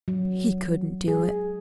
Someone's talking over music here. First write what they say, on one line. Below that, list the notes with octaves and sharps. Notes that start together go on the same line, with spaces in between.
He couldn't do it.
F#3
G#4